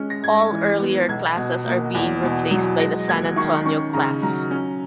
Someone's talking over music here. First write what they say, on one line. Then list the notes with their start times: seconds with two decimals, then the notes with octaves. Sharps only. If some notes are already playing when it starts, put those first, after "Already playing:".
All earlier classes are being replaced by the "San Antonio" class.
Already playing: G#3 C#4
0.10 A#6
0.23 G#2 G#6
0.51 E3
0.66 G#6
0.80 B3
1.09 B1 G#6
1.37 B2
1.66 A#3
1.94 E2
2.23 B2
2.51 F#3
2.80 G#3 A#6
3.08 D#2 G#6
3.36 D#3 C#6
3.66 C#4 C#6
3.93 C#3 A#5
4.22 F#3 A#5
4.51 C#4